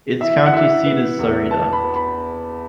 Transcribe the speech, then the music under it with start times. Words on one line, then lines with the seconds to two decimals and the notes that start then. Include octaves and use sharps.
Its county seat is Sarita.
0.20 E3 E5
0.46 F#5
0.53 E3 E5
0.86 B3
1.19 E2
1.51 B3 A5
1.73 B5
1.84 B3
1.96 B5